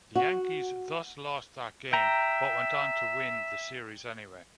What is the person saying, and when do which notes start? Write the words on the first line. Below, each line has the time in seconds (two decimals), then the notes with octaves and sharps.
The Yankees thus lost that game but went on to win the series anyway.
0.16 F#4
1.93 E5 G5 A#5